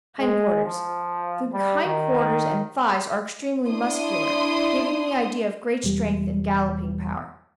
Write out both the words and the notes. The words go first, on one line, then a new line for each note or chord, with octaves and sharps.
HIND-QUARTERS--The hind-quarters and thighs are extremely muscular, giving the idea of great strength and galloping power.
G#3
F3
G3
D#3
D4 E4 C6 D#6
E1 E2 G3